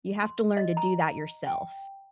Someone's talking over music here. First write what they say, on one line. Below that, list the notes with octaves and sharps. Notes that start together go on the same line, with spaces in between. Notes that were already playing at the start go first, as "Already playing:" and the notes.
you have to learn to do that yourself
C6
D#5
A#5
G5